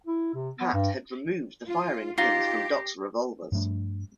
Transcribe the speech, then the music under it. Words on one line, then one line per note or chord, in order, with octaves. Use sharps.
Pat had removed the firing pins from Doc's revolvers.
E4
C3
B3
G2
F4
D#4 F4 G4 A#6 C7
G2 F3 A3 D4